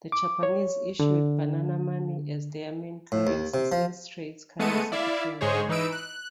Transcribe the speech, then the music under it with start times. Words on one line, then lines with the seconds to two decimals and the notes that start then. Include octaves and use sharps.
The Japanese issued banana money as their main currency since Straits currency became rare.
0.12 D6
0.43 C#5
1.00 D3
3.12 A2
3.27 D#2
3.54 C3
3.72 F3
4.60 G#3 A3 B3 A5 C#7 D#7
4.92 E4 D5 E5 F5
5.41 G#2 G#3 G#4 C5 C#5
5.69 E3 D#4 B4 E6 D7
5.92 F#6